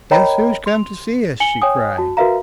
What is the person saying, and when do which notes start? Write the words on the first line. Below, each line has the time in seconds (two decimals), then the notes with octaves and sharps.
"Guess who has come to see us!" she cried.
0.11 A#4 C#5 D#5 G5 A#5 B5
0.66 C6 F7
1.40 G#5 C#7 F#7 G7
1.62 C#5 G5 G#5 D#6
1.98 F#4 A5
2.17 F#4 A#4 B4 E5 F5 A#5